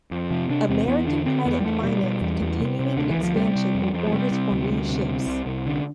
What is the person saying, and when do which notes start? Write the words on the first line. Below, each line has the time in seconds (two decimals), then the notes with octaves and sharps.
American credit financed continuing expansion and orders for new ships.
0.11 F2
0.31 C3 F3
0.49 C3 D4
0.69 E2 C4
0.88 E2 B3
1.07 D3 D4
1.26 D3 C4
1.45 E2 B3
1.60 G3
1.65 E2 A3
1.84 B2 G3
2.03 B2
2.21 E2
2.41 E2
2.60 C3
2.79 C3
2.97 D2 D3
3.10 E3
3.17 D2
3.23 F3
3.36 C3 G3
3.55 C3
3.75 F2
3.93 F2
4.07 F3
4.12 C3 G3
4.31 C3
4.52 D2
4.70 D2
4.89 C3
5.09 C3
5.27 C2
5.46 C2
5.66 D3